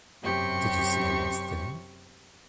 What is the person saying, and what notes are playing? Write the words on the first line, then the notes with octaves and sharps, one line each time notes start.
Did you see the last game?
F#2 C3 G4 C#6